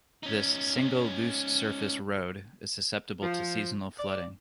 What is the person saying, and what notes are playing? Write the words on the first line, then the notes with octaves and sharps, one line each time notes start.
This single loose-surface road is susceptible to seasonal flooding.
C#4 D#4
F3
D5